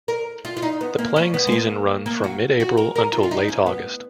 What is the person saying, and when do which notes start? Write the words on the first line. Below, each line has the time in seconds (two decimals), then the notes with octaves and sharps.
The playing season runs from mid-April until late August.
0.08 A#4
0.45 F4
0.57 F4
0.62 D#4
0.81 B3
0.98 A#3
1.16 C#4
1.34 B3
1.47 G#3
1.52 A#3
2.06 A#3
2.24 F#4
2.60 F#4
2.77 A#4
2.96 A#4
3.13 F4
3.23 F4
3.31 D#4
3.49 C#4
3.66 B3